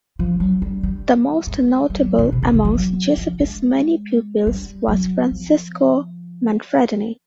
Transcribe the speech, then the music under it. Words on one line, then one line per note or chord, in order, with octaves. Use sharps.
The most notable amongst Giuseppe's many pupils was Francesco Manfredini.
F3
F#3
G3
G3
G#3
G3
F#3
C#3
C3
C#3
E3
F3
F#3
F3
G#3
G3
F#3
F3